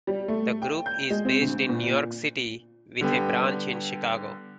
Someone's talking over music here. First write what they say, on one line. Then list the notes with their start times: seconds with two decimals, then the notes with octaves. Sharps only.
The group is based in New York City with a branch in Chicago.
0.07 G3
0.28 A3
0.62 G5
0.86 G6
1.10 G#3
1.25 C4
1.41 D2
1.69 A#2
3.01 D3 G3 B3 G5